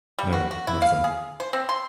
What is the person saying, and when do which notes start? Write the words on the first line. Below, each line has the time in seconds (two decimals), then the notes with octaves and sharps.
No nothing.
0.18 G3
0.33 F#4
0.51 F#4
0.67 E4
0.82 F5
1.04 G#4
1.40 C5
1.53 C4
1.69 C6